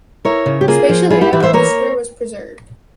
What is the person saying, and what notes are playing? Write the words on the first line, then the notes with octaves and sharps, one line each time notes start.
Spatial layout of the square was preserved.
E4 A#4 C#5
C#3
G4
A#3 F4 G#4
F3
E4 F4 G#4
E4 G4
E3 E4 G4
C5 E5
A#3 A#4 C#5